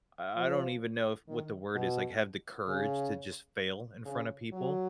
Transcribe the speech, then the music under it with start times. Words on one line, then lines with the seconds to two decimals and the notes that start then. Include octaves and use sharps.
I I don't even know if what the word is like, have the courage to just fail in front of people,
0.36 F3
1.28 D#3
1.74 B2
2.68 C#3
4.05 C#3
4.52 F#3